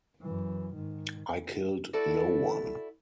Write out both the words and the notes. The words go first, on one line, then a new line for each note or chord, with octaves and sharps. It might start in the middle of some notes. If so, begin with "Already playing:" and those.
I killed no one.
F#2 E3
G#2 D#3
E4 F#4 A4 D5